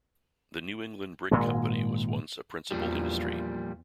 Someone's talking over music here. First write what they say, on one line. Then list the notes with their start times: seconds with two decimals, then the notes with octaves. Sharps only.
The New England Brick Company was once a principal industry.
1.31 G#1 A#2 G#3
2.71 E2 A#2 F3 G3